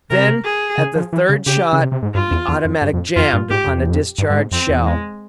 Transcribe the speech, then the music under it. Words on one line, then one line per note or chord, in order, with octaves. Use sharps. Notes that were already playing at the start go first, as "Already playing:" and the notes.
Then, at the third shot, the automatic jammed upon a discharged shell.
C3 A#4
G#4
C#3
F3
E3
C#3
C#3 G4
C#3
C3
C3
G#2
G2 F4
E2
E2
F2
G2
F2
F2 F4
G2
G#2 G4
F2
E2
F2
G2
G2
G#2
F2 C4
E2
G#3